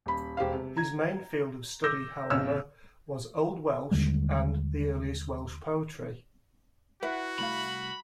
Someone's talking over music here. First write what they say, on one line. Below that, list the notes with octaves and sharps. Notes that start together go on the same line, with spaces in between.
His main field of study however was Old Welsh and the earliest Welsh Poetry.
D#1 B5
E1 G4 C5 F5
C3
A#5 G#6
D6 E6 G6 A#6
A#1 F2 C#3 C#5 E6 F6
D#2 D3 G3 G#3
E4 F#4 B4 F#5
C2 A3 F5 B5